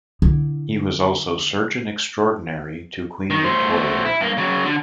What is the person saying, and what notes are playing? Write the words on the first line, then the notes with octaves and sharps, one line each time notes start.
He was also surgeon-extraordinary to Queen Victoria.
D3 E4
D#3
A3 C5
E4
G2 A#3
C#3 F#3
D3